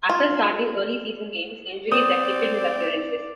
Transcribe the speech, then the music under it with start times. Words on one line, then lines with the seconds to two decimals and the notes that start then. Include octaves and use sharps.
After starting early season games, injuries restricted his appearances.
0.09 F4
1.92 C4 D5 D#6